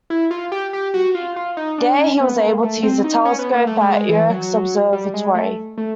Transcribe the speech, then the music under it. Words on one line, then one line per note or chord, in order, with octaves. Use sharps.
There he was able to use the telescope at Yerkes Observatory.
E4
F4
G4
G4
F#4
F4
F4
D#4
D4
C#4
B3
A#3
A3
C4
D#4
C#4
B3
A#3
A3
G#3
G#3
E3
F#3
G3
G#3
A3
A3